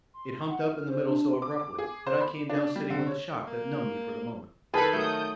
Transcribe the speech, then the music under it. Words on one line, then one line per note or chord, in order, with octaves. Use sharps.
It humped up in the middle so abruptly that I came down sitting with a shock that numbed me for the moment.
C6
F#5
F6
C5
D4
D6
D6
G#4
C5
B5
D4
G3
D3
C#5
A#3
D#3 G#4 A4 B4 A5 B5
F#3 A3 D#6 G6